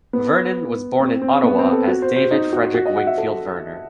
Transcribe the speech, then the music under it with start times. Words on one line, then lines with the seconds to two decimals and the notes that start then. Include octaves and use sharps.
Vernon was born in Ottawa as David Frederick Wingfield Verner.
0.13 B3
1.00 C4
1.22 C4
1.43 B3
1.58 C4
1.73 A4
1.88 F#4
2.02 C5
2.16 C5
2.31 D#4
2.53 F#4
2.74 F#4
2.86 D#5
2.96 F#5
3.07 E5
3.18 A4